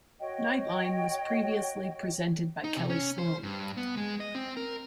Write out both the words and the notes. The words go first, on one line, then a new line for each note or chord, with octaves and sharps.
"Nightline" was previously presented by Kellie Sloane.
F#4 C#5 D#5 G5
D#4
C3
C#4
C5
G2
B3
G#3
D#5
C4
A#4